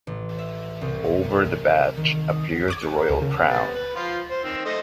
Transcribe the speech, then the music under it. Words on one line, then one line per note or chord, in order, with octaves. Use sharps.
Over the badge appears the Royal Crown.
A1
E5
C2
G#3
D#3
D#6
C#6 D6 G#6
C#6 C#7
A#4
D2 B2
C#3
G3 B3
B4
F3 F4
C5
D#3 C4 E6
A3 C5 D#5